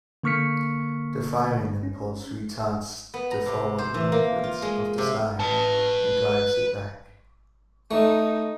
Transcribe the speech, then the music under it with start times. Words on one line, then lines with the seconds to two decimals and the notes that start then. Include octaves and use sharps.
The firing impulse retards the forward movement of the slide and drives it back.
0.23 D3 A#3 C#6 F6 B6 C#7
1.83 C#4
3.14 B3
3.31 A#5
3.46 C3
3.78 C5
3.94 E3
4.12 A#3
4.44 F4
4.62 G#3
4.98 C3
5.40 B4 A5
7.91 A3 D#4